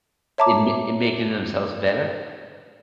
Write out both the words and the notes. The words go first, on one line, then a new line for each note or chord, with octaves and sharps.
in ma in making themselves better?
C#5 E5 A5 A#5 D6